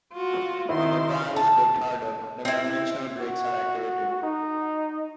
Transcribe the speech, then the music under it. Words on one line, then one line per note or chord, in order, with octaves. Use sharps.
When the car is braked harder, the conventional brakes are activated.
F4 F#4
D#3 E4 C6
A5
C4 E4
F#4
D#4